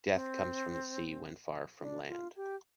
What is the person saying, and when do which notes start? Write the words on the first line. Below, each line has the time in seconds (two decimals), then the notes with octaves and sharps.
Death comes from the sea when far from land.
0.13 C4
1.80 D4
2.08 F4
2.36 G4